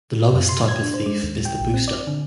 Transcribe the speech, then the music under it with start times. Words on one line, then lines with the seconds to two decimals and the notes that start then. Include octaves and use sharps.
The lowest type of thief is the booster.
0.33 F#2
0.49 C6
0.68 G#6
0.81 D4
0.94 C5
1.06 G#3
1.23 D#2
1.45 G5
1.60 A#1
1.74 C4
1.88 D5
2.07 D3